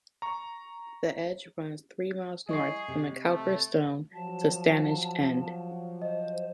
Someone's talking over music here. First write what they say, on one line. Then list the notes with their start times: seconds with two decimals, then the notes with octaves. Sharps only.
The edge runs three miles north from the Cowper Stone to Stanage End.
0.22 A#5 C#6
2.49 G#3 E4 G#4 D#5 C#6 C7
2.88 C3
3.25 A3
4.13 F3 F#3 A5
6.02 C5 D#5